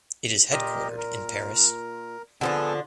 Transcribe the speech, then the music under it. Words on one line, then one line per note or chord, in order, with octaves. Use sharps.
It is headquartered in Paris.
A#2 G4 A#4 D#5
A#4
D3 F3 B3 D4 G#4 A4